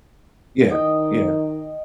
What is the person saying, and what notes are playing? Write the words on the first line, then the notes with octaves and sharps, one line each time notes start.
Yeah. Yeah.
D#3 D#5 G5